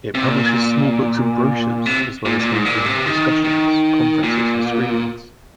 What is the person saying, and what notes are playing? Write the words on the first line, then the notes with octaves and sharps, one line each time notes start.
It publishes small books and brochures, as well as hosting discussions, conferences, and screenings.
C3
A#2
C3
A#2
A#2
G#2
A#2
C3
D#3
D#3
A#2